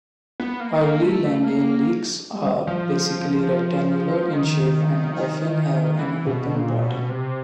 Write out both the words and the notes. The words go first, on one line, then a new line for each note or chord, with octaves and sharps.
Early langeleiks are basically rectangular in shape, and often have an open bottom.
B3
A#3
A#3
A3
A#3
F3
D#3
E3
B2
A#2
B2
C3